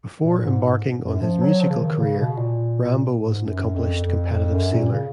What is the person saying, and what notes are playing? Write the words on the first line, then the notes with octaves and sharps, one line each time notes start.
Before embarking on his musical career, Rambo was an accomplished competitive sailor.
A#2
A#2
G#2
G#2
F#2
F3
F#3
F3
C#3
D#3
C#3
B2
A#2
G#2
F#2
F2
F2
F2
F#2
A#2
C#3